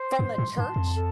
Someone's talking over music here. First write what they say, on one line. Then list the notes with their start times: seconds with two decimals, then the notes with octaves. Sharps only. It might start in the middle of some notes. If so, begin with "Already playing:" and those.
From the church?
Already playing: C5
0.19 G2 C6
0.38 A2
0.57 G2 A5
0.76 F2
0.96 A4